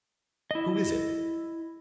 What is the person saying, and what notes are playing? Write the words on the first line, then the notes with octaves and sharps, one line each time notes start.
"Who is it?"
E4 D#5